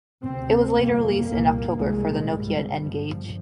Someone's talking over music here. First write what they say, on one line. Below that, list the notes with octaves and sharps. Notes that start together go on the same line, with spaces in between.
It was later released in October for the Nokia N-Gage.
D2 C3 C4
G1 F2 C3 A#3
C2 A#2 A#3
C2 A#2 G#3
G#1 G#2 G3
G1 G2 F3